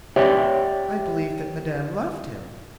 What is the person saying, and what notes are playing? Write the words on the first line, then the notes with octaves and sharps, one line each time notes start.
"I believed that Madame loved him."
G4 C#5 D5 E5 F#5 G5